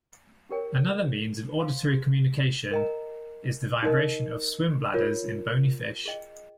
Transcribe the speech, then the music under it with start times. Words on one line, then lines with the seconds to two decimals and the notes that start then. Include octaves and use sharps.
Another means of auditory communication is the vibration of swim bladders in bony fish.
0.49 C#4 G4 A#4 C#5 G5
1.60 C5 F5 C6
2.71 A#4 D#5 G5 A#5
3.83 D#4 A#4 D#5
4.94 F4 A#4 C#5
6.05 G#4 D#5 G5